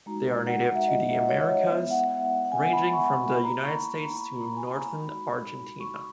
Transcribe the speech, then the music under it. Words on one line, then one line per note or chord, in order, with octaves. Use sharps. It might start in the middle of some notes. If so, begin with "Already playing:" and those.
They are native to the Americas, ranging from the United States to northern Argentina.
G#3 D#4 F#4 A#5
F#5
F#5
E5
D#5
C#5
E5
G#3 B3 E4 E5
F#5
F#5
G#5
B5
C#6
A#3 E4 B5
A#5
B5
C#6
B5
A#5
G#5
A#5
G#3 D#4 F#4 B5
C#6